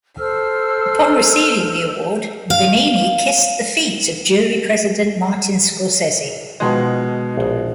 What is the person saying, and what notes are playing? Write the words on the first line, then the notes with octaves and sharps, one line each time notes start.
Upon receiving the award, Benigni kissed the feet of jury president Martin Scorsese.
A4 C5 E6 F6
F5
B2 D#3 F3 G#3
A#1 D#4